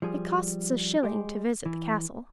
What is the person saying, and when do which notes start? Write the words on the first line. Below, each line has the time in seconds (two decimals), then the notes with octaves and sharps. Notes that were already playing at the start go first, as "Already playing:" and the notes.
It costs a shilling to visit the castle.
0.02 F3 G3 G#4
1.03 G#3 G4
1.66 E3